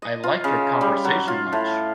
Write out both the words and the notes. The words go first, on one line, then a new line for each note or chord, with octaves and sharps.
I like your conversation much.
D#5
F4
C#3
G3
F#3
F4
A2